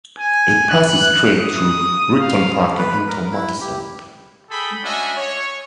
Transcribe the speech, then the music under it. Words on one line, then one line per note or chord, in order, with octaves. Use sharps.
It passes straight through Richton Park and into Matteson.
G#5
F#6
D#6
F5
B4
A#4
E4
G4
G#4 A4 G5 B5
C#4 D4 F#4 D#5 E5 G#5
C#5